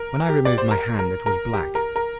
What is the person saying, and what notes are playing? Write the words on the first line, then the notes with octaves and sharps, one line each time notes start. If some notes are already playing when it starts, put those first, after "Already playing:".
When I removed my hand it was black.
Already playing: A#4
G4
D5
C5
A#4
A#4
A#4
G4
A#4
A#4